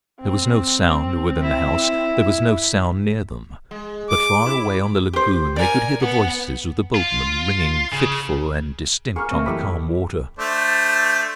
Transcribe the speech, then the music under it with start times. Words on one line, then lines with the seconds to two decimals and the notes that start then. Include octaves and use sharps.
There was no sound within the house, there was no sound near them; but far away on the lagoon they could hear the voices of the boatmen ringing fitful and distinct on the calm water.
0.21 C4
1.42 E4
3.71 G#3
4.10 D6
4.46 E4
5.13 G4 C5
5.56 A#4 D5 G#5
6.01 B3
6.95 F4
7.93 C#3
9.16 A#3 C#4 G#4 C#6 F6
9.31 A#2 A3 C4 A#4 C#5 D#5
9.46 F#2 E3 G4 A4 F5 B5 D6
10.39 A3 D4 C5